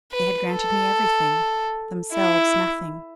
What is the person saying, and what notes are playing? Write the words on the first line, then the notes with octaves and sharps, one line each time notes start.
They had granted me everything, themselves nothing.
B4
A4
E4